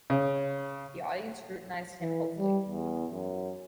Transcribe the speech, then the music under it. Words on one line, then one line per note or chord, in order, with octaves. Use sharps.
The audience scrutinized him hopefully.
C#3
E3
G3
E2
F#2